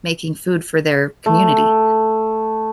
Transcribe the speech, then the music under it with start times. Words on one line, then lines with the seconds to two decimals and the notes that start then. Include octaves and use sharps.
making food for their community.
1.26 A3